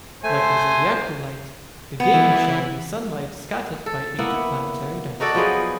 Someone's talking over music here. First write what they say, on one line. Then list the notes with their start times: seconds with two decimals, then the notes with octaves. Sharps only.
Like the zodiacal light, the gegenschein is sunlight scattered by interplanetary dust.
0.24 A3 C5 G#5
2.00 B3
2.14 E3
3.86 A4
4.19 A#3 B3 E4 F#5
5.20 D#4 F#4 A4 D5
5.35 F3 F#3 B3 G#4